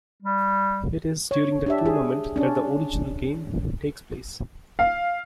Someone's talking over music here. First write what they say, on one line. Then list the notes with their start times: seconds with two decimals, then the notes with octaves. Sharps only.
It is during the tournament that the original game takes place.
0.23 G3
1.31 C#5
1.66 D4 G4 E5
1.86 G#4
2.36 C#4 D4
4.79 F5